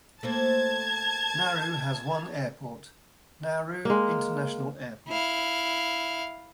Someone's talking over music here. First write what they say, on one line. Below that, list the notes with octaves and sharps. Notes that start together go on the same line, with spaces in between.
Nauru has one airport, Nauru International Airport.
A3 A#3 C5 A5 G#6
G#3 A#3
E4 F5